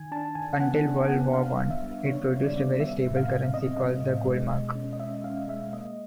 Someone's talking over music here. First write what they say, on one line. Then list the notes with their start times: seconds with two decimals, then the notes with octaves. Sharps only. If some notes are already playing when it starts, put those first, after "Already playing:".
Until World War One it produced a very stable currency called the Goldmark.
Already playing: D#3 G#5
0.12 D4 A5
0.35 D#3 G#5
0.60 B3 F#5
0.85 D4
1.08 B3 F#5
1.33 D4 F5
1.58 B3
1.70 E5
1.82 G3
2.06 D4 C#5
2.31 G3
2.43 D5
2.56 B3
2.79 G3 E5
3.05 A2
3.16 F5
3.28 C4
3.54 C4 D#5
3.78 C4
4.01 A2
4.27 G#3
4.51 B2
4.75 C#4
4.93 D#5
5.00 C#4 E5
5.24 C#4 F5
5.48 G#3 E5
5.73 A#3 D#5